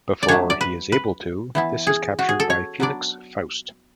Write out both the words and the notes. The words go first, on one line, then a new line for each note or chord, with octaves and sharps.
Before he is able to, his is captured by Felix Faust.
D5
F#3 A3 D4 C#5
D5
B4
B4
E3 B3 E4
G#4
F#4
G#4
A4
C#5
F#3 B3 D4 D5